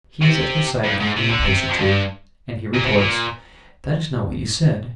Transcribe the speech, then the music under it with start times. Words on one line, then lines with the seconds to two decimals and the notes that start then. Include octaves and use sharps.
He is at her side again in a pace or two, and he retorts, 'That is not what you said.
0.21 C3
0.84 G2
1.00 G#2
1.16 C3
1.29 D3
1.43 C3
1.69 F2
1.79 G2
2.74 A#2
2.85 C3
2.97 A#2